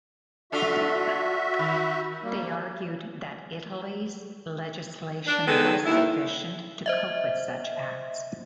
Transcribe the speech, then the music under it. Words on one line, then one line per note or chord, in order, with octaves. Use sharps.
They argued that Italy's legislation was sufficient to cope with such acts.
D4 F4 F#4 A4 E5
D#3
G3 A#3
D4
D#3 G#3 B3 A4
D#2 E4
C5 D#5 E5